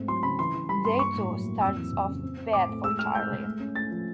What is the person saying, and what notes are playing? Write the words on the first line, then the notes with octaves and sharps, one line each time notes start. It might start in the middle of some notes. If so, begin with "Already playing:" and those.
Day two starts off bad for Charlie.
Already playing: G#2 A3 C4
F#3 C6
C#3 B5
E3 C6
E3
G3 B5
G2 C6
A#3 C#6
A2
F#3
A#3
F2 E6
E3
F2
C#3
C4
C4
A2 D6
A3
G#3 E6
G#3 F6
G#3 G6
G#3
A3
C#4
A3 A6
F3